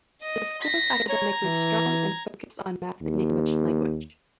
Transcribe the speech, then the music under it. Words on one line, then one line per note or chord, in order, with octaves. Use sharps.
The school is academically strong and focus on math and English language.
D#5
A#6 B6
C#5 A#5 G#6
E3
D#2